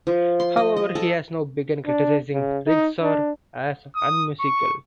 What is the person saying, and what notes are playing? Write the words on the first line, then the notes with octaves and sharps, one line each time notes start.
However, he has now begun criticizing rigsar as unmusical.
F3
C6
D#5
D#5
A4
D4
C#3
D#4
D4
D#6
C#6